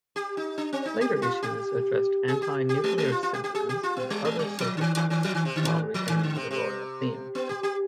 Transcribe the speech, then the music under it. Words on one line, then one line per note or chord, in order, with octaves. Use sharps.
Later issues addressed anti-nuclear sentiments and other social causes while retaining the royal theme.
G4
D#4
D4
C4
D#4
G4
F4
G4
G#4
G4
G4
G#3
G#3
F4
F4
G4
G4
G#4
G4
F4
B3
G3
G#3
G3
F3
D3
D#3
D#3
D#3
F3
D#3
C3
D3
D#3
F3
D#3
D3
C3
C3
B3
G4
G4